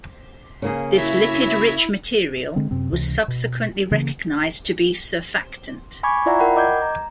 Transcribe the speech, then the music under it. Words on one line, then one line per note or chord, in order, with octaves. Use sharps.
This lipid rich material was subsequently recognized to be surfactant.
C#3 A#3 G#4
E4 F#4 C#5 E5
D3 G#3 C4
F#2 C3 C4
C#2 C3 E3
B2
C#3 E3 A3 A#3
G#5 B5 C#6 D6 G#6
E4 F4 D5 E5 F#5 A#5
A#4 F#5 G5 B5
D#5 D6 G6 G#6
A#5